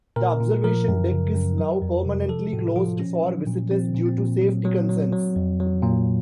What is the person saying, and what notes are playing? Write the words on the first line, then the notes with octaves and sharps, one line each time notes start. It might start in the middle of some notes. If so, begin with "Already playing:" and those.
The observation deck is now permanently closed for visitors due to safety concerns.
A#2 A#4
A#2
F3 A#4
F#2
C#3
F#2
F#3
F2
C3
F3 A4
A2 F#4
F3 F4
A#2 C#4
F#3
A#2
F3 C4
A#2
C4
A#2
F#3
F#3
F#3
F#3
F2
F#3
A#2 A#3